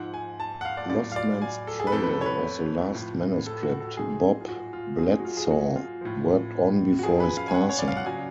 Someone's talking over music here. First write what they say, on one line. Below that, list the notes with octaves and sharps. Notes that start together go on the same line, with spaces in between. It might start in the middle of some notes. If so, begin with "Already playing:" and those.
"Lost Man's Trail" was the last manuscript Bob Bledsaw worked on before his passing.
Already playing: G#2 F3 F#5
G#5
A5
F#5
F5
D5
A2 F#3 D5
F5
D5
G#5
A4
G#4
B4
F2 F3 A4
B4
A4
C#5
B4
A2 F3
A4
F#4
A4
G#2 F#3 G#4
F4
F#4
F4
G#2 F#3 G#4
G#4
F#4
F4
G#4
F#4
F4
A2 F3
F#4
F#2 F3 G#4
B4
F5
G#5
F#5
C#5
D5
F5
F#5
C#3 F#3 G#5